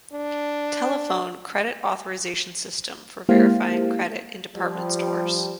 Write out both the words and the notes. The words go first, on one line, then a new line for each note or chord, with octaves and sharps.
Telephone Credit Authorization system for verifying credit in department stores.
D4
G#3 A#3 E4 G4 C5 F5
F3 G3